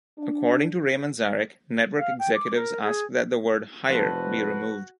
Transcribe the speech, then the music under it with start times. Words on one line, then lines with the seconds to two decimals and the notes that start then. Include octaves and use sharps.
According to Ray Manzarek, network executives asked that the word "higher" be removed.
0.18 D4
1.98 F5
2.19 G5
2.34 D6
2.54 A#4
2.82 G#4
3.89 F1 F3 F#4 A4 B4 C5